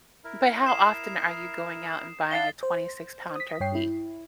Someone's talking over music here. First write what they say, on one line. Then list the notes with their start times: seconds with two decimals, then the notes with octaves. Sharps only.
But how often are you going out and buying a twenty-six-pound turkey?
0.24 E4 A#4
0.66 D#6 C7 E7
2.31 D4 E4 F5 F#5 A6 C7 G7
2.63 C5
3.35 D#6 B6
3.60 G2 C#5 G5 C7
3.75 E4